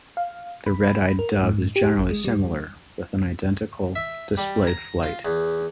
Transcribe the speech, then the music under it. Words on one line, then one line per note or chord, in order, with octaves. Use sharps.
The red-eyed dove is generally similar with an identical display flight.
F5
B5
A#4
G#2
G4
A1
G#3
G3
E5
G3
A#5
F4
E2